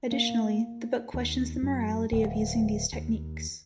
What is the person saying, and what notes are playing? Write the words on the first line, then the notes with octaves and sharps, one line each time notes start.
Additionally, the book questions the morality of using these techniques.
A#3
D#2
F#2
D1
D#2